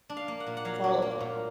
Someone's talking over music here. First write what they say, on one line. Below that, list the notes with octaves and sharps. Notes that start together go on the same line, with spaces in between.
fall upon.
D4
F5
A#3
F#5
A#2
F#5
F#3 F5
D4
A#3
A#2